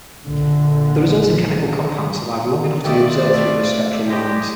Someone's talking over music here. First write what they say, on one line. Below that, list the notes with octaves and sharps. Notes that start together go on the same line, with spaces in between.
The resulting chemical compounds survive long enough to be observed through their spectral lines.
A#1 D3
D#3 A3 B3 F4 D5 G5
A3
G#3 D4 G4